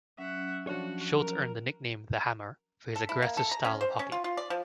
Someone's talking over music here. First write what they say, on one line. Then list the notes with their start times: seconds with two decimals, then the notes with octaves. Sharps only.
Schultz earned the nickname "The Hammer" for his aggressive style of hockey.
0.18 F#3 C#4 E5 F#5
0.67 F3 D4 F#4 C#5
1.17 A#4
2.96 A4
3.09 E4
3.22 A#3
3.37 A4
3.51 A#5
3.65 C#4
3.81 C5
3.99 C#4
4.12 F4
4.24 F4
4.37 D5
4.50 F3